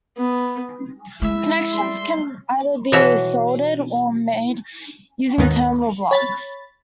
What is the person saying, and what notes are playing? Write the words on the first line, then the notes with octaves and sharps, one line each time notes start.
Connections can either be soldered, or made using terminal blocks.
B3
F3 G#3 E4 E5
G3 C6
B2 E3 F#4 C#5 E5
D#2 G#2 D#3 B3 D#4
C#5 B5 A6